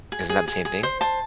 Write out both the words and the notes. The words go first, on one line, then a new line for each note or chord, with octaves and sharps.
isn't that the same thing?
G#4
G#4
G#4
G#4
C5
C5 A5